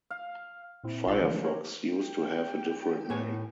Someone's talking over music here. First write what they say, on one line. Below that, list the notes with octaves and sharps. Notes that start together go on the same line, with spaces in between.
Firefox used to have a different name.
F5
A#2 C4 E4
B1 F4 D#5 C6 E6 A6
D3 E3 F3 G#3 A3 C#4
G4 A#4 C5 C#5
G4 G5
A2 G#5